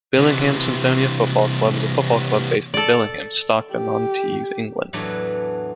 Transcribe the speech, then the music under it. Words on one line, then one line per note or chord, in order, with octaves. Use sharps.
Billingham Synthonia Football Club is a football club based in Billingham, Stockton-on-Tees, England.
C3 E3
A4 D5
G4
E2 A2 E3 F#3 D4 B4